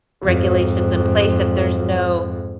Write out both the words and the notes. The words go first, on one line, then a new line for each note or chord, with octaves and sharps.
regulations in place if there's no,
F2 G#2